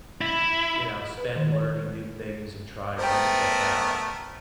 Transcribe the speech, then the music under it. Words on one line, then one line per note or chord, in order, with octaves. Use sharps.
you know, spend learning new things and trying new stuff out.
E4
B4
D#3
C#5
A3 B3 A#4 C5 G5